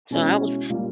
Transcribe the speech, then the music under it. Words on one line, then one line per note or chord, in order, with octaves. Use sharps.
So I was
B2 G#3 C#4 E4
A#2 G3 A#3